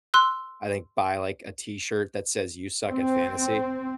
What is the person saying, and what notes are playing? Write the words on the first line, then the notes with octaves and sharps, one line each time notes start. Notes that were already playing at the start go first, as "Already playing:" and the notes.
I think buy, like, a T-shirt that says, "You suck at fantasy"
C6 E6 F#6
C4